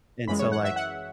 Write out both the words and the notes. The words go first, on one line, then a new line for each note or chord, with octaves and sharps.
and so, like,
F#2 E3 G#3 B5
C#5
F#5
E5
F#5